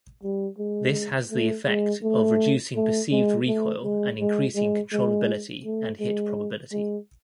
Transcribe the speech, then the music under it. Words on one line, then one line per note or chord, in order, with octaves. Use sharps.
This has the effect of reducing perceived recoil and increasing controllability and hit probability.
G3
G#3
A3
G#3
A3
A3
G#3
A3
G#3
G#3
G#3
G#3
A3
G#3
G#3